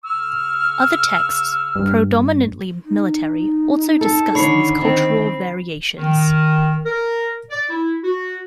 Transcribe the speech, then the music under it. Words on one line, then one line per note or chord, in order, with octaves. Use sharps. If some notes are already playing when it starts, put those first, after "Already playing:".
Other texts, predominantly military, also discussed these cultural variations.
C#3 C#6 E6 F6
G2
D#4
A4
D3 D#3 C#5 B5 C7
D#3 C4
D#3
A#4
D5
E4
F#4